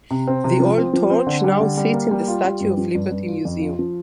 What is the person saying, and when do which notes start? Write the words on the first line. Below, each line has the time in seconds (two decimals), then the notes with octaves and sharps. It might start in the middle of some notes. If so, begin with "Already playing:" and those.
The old torch now sits in the Statue of Liberty Museum.
0.11 C3
0.27 C4
0.44 C3
0.60 F3
0.77 C4
0.93 F3
1.10 C4
1.27 D3
1.44 G3
1.60 D3
1.77 G3
1.94 A#3
2.11 G3
2.28 F4
2.45 G3
2.61 G2
2.77 F3
2.95 G2
3.12 G2
3.28 F4
3.45 F2
3.61 F4
3.79 F3